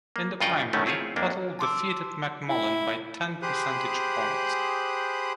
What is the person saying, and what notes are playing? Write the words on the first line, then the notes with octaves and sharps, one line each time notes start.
In the primary, Tuttle defeated McMullen by ten percentage points.
A#3
G2 C#3 F4 D#5 F#5 G5
F#2 B2 D#3 A3 C#4
C4 E4 F4 G#4 C#5
F2 A#3 D4
A5 C6 D6 E6
E4
G4 G#4 C5 B5 D#6 F#6